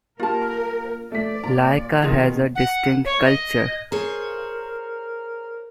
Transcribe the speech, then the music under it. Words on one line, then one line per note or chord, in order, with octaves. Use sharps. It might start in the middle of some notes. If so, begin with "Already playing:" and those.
Lika has a distinct culture.
A#3 F4 G4 A#4 A5
A3 D5 B6
A#2 A#5
B2 D#3 F4 G#4
F#5
C#5
D#5
G#4 A#4 C5 C#5